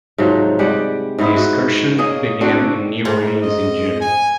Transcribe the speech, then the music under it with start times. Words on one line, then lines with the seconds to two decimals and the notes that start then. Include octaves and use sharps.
The excursion began in New Orleans in June.
0.18 G#2 C3 F3 F#3
0.59 G3 G#3 G4 F#5
1.19 G#2 B3 D#4 E4
1.36 F#4
1.98 A#3 G#4 C#5 D#5
2.41 C4 D4 F#4
3.05 G#2
3.43 D#5
4.01 G#5